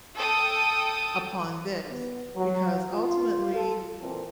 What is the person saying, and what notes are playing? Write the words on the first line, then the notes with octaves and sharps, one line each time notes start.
upon this." Because ultimately
A4 G5 D#6
B3
F#3
F4
A4
A#2 E3 C4 A4